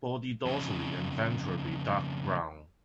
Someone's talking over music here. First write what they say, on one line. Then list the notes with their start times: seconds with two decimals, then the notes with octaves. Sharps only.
Body dorsally and ventrally dark brown.
0.45 F2 C#3